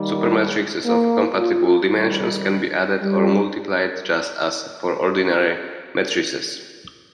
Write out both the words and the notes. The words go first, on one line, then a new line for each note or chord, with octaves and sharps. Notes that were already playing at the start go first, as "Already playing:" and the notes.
Supermatrices of compatible dimensions can be added or multiplied just as for ordinary matrices.
Already playing: D#2 D#3 G3
G#3
A#3
F4
F2 D#3 G3 D#4
G3